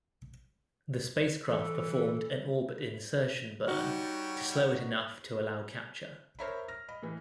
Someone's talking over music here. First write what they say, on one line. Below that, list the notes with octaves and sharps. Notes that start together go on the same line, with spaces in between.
The spacecraft performed an orbit insertion burn to slow it enough to allow capture.
E3 A4
G3 D#4 F#4 G4 C#5
A#4 C5 C#5 E5 A#5 B5
F6 A#6
D#5 B5
A2 E3